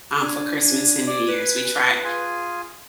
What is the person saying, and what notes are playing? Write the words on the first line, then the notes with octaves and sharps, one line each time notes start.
um, for Christmas and New Year's, we try
D4 G#5
D5
B4
F4 G#4 G#5